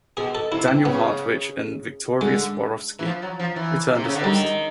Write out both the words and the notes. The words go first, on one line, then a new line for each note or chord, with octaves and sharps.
Daniel Hartwich and Victoria Swarovski returned as hosts.
B2 G#4
A4
C3 E4
C4
C#3 B3
D3 G#3
E3
F3
F#3
F3
E3
C3
C#3
D3
D#3 G3